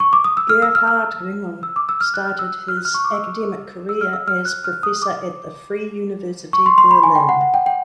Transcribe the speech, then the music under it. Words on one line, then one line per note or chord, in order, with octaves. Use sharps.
Gerhard Ringel started his academic career as professor at the Free University Berlin.
C#6
D6
D#6
E6
F6
E6
F6
F6
E6
D6
E6
F6
F#6
F6
E6
F6
F#6
F6
C#6
D6
E6
E6
F6
E6
F6
F#6
F6
D#6
D6
C#6
C6
C6
B5
G#5
G5
F#5
F#5
G5
G5